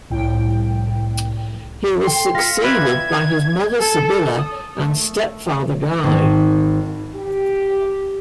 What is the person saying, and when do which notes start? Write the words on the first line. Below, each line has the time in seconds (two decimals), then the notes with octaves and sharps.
He was succeeded by his mother Sibylla and stepfather Guy.
0.10 C2 A2 G5
2.03 A4 G5 C6
2.35 F4 A#6 B6 C#7
2.64 B4 D5 E5 G#6
3.80 A4
4.38 D#6
4.79 A3
6.04 G#1
7.15 G4